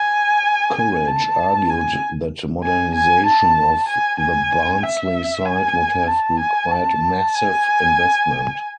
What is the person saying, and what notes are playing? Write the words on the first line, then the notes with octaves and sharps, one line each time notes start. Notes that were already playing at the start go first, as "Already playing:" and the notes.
Courage argued that modernization of the Barnsley site would have required "massive" investment.
Already playing: G#5
G#5
A5
G#5
G#5
G#5
A5
G#5
G#5
E5
G#5
A5
G#5
A5
G#5